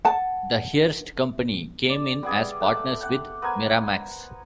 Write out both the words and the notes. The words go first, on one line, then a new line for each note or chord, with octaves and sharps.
The Hearst company came in as partners with Miramax.
F#5 A5
D5
G3 B3 G#4
A3 F#5 D6 E6
F#5 G5
B3 A#4 C5 G#5